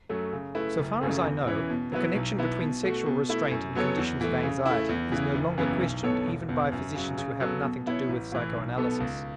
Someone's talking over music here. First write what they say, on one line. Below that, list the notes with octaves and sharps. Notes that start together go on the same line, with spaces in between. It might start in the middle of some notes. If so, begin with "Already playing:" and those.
So far as I know, the connection between sexual restraint and conditions of anxiety is no longer questioned even by physicians who have nothing to do with psychoanalysis.
F#2 F#3 A3
C#3
A3 E4 B4
F#1
F#2 C#3 A3
E2
E3 C#4 E4 C#5
B2
F#3 B3 E4 B4
B1
B2 B3 E4
B2
A3 F#4
B2
A3 E4
F#2
F#3 B3 A4 C#5
E2
E3 A3
C#3
E4
A3
E2
C#3 E3
F#1
F#2 C#3 E3 B3
B1
B2 B3 A4 C#5
E1
E2 B2
F#2
C#3 F#3
C#3
F#3 B3 A4
B2
B3 E4 C#5
A1
A2 E3
B1
B2 B3 A4
C#2